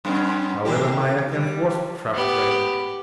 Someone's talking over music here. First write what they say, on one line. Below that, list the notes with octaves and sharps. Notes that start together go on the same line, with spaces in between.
However, my attempt was frustrated.
F#2 B3 C#4
D#3 A3 G4
G3
B3 G4